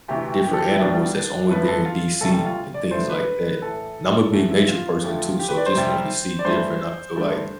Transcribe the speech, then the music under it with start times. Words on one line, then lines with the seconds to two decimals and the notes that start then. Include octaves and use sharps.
different animals that's only there in DC and things like that. And I'm a big nature person too, so just wanting to see different, I feel like
0.08 D2 C3 E3 G4
0.44 G4
0.53 A4
0.62 G4
0.71 E4
0.80 C2 B2 G3 D4
1.50 G2 D3 F3 A3 B4
1.68 A4
1.85 F4
2.21 D2 C3 G3 A4
2.33 A4
2.45 F4
2.74 D5
2.91 G2 F3 A3 C5
3.09 B4
3.62 A2 E3 A3 A4
4.33 E2 D3 F3 A3
4.51 E4
4.68 F4
5.04 F2 D3 F3 A3
5.39 G4
5.48 B4
5.57 D5
5.66 C5
5.75 C2 C3 G3
6.39 D5
6.45 G2 E3 A3 C5
7.16 G2 D3 A3